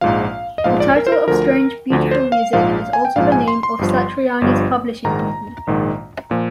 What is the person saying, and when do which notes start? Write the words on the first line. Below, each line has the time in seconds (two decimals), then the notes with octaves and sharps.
The title of "Strange Beautiful Music" is also the name of Satriani's publishing company.
0.01 A#1 G#2 F3 F5
0.58 D#5
0.64 A#1 G#2 F3 F5
0.80 D5
0.96 A#4
1.07 C5
1.12 A#4
1.27 D2 D3 F3 A#4
1.90 D2 D3 F3
2.11 C5
2.32 F5
2.53 A#1 G#2 F3 F5
2.93 G#5
3.05 G5
3.16 A#1 G#2 F3 F5
3.32 G#5
3.48 C6
3.63 C6
3.79 G1 G2 F3
4.42 G1 G2 F3
5.04 A#1 G#2 D#3 A#5
5.67 A#1 G#2 D#3
6.31 A#2 F3